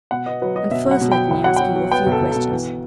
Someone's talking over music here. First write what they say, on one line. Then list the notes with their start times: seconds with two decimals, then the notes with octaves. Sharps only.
And first let me ask you a few questions.
0.11 B2 F#5
0.26 B3 D#5
0.42 F#3 B4
0.56 F#3 D#5
0.71 B2 E5
0.86 F#3
0.91 F#5
1.01 B2
1.12 F#3 G5
1.31 B1 G5
1.44 F#3 F#5
1.56 F#3 G5
1.76 F#3
1.92 B3 G5
2.06 B1
2.12 A4
2.21 B1
2.32 B2 A4
2.51 E3